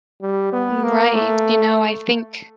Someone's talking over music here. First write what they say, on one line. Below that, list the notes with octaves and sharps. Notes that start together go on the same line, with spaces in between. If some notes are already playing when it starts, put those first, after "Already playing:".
Mm, right, you know, I think
G3
B3
A#3
A3